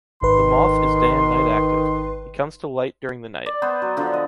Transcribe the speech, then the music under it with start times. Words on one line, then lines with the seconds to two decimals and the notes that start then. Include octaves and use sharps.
The moth is day and night active, he comes to light during the night.
0.23 G#1 D#3 B4 C6
3.46 D5
3.62 B3 B4 C5
3.82 F#3
3.97 D3 F3
4.13 D#5